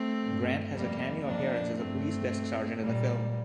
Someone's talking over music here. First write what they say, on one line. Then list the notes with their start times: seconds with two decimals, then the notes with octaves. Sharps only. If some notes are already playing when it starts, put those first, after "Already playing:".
Grant has a cameo appearance as a police desk sergeant in the film.
Already playing: A3 C4
0.22 G2
0.74 F2 G3 A#3
1.25 F2 A#3 D4
1.77 G2 A3 C4
2.80 A#2 G3 A#3